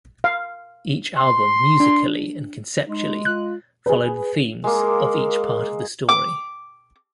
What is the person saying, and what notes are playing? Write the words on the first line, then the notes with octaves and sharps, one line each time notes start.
Each album musically and conceptually followed the themes of each part of the story.
F5
C6
D4
G#3 D#4
F4 F#6
G#4 B4
G#3 A#3 A#4
D6